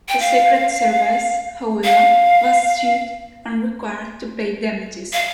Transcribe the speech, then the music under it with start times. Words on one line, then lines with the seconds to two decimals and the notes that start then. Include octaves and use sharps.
The Secret Service, however, was sued and required to pay damages.
0.09 G5
0.20 F5
1.84 F5
5.13 F5